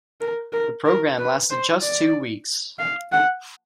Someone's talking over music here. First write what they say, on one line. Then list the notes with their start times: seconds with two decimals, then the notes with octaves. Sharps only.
The programme lasted just two weeks.
0.21 A#4
0.53 A#4
0.85 A#4
1.18 B4
1.50 C5
1.82 D5
2.79 F5
3.12 F#5